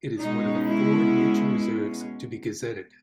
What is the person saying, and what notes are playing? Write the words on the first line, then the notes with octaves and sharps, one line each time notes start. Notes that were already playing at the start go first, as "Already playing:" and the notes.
It is one of the four nature reserves to be gazetted.
B2 G#3 C#4 D#4
E4